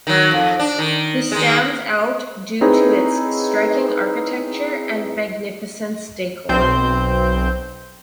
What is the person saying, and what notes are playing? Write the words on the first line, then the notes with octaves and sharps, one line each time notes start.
The stands out due to its striking architecture and magnificence decor.
D#3 F#3
F2
D4
D#3
D#3 G#3
C4 D#4 E4 G#4 B4 C#5
B1 C4 C5 G6